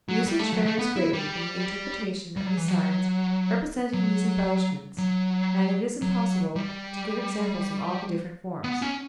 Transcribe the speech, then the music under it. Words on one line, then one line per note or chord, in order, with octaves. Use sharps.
Usage varies greatly in the interpretation of the signs representing these embellishments and it is impossible to give examples of all the different forms.
F#3
G3
A3
F#3
A3
B3
E4
G3
G3
F#3
E3
F#3
F#3
F#3
F#3
G3
B3
C#4